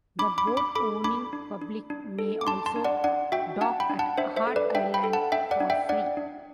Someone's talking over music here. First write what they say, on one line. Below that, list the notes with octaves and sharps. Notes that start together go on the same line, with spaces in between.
The boat-owning public may also dock at Heart Island for free.
D4 B5 D6
B5 D6
D4
B5 D6
A4 B5 D6
D4 B5 D6
D4
D4
D4
A4
D6
D4 A5 C6
A5 C6
D4
D5 F#5
D4 D5 F#5
F#4 E5 G5
D4 F#5 A5
G5 B5
D4
F#5 A5
D4 C5 E5
C5 E5
A4
B4 D5
D4 E5 G5
G5 B5
A4
F#5 A5
D4 E5 G5
D5 F#5
D4
E5 G5
D4 D5 F#5
D4